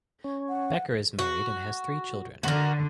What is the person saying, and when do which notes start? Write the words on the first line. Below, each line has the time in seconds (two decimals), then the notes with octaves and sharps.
Becker is married and has three children.
0.24 C#4
0.49 F#5
1.19 F#4
2.43 D3 F#4 A#4